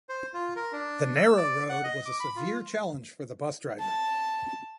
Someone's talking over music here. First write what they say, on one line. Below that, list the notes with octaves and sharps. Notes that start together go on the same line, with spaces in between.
The narrow road was a severe challenge for the bus driver.
C5
F4
A#4
D4
E6
D5
F#5
D#5
D6
B5
F4
A5